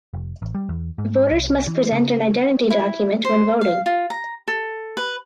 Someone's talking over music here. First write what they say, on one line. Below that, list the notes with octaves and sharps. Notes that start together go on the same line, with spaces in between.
Voters must present an identity document when voting.
F1
A1
G3
E2
G#2
C2
E3
C#3
E4
C5
F5
F4
A#5
A4
B4